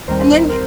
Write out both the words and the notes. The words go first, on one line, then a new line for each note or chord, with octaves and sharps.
And then i
D#2 D#3 G3 C4 A#4 C5
A#4 C5